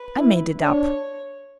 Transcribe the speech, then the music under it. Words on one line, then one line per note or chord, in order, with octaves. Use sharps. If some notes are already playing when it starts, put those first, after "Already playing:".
I made it up.
Already playing: B4
E4
D4 C#5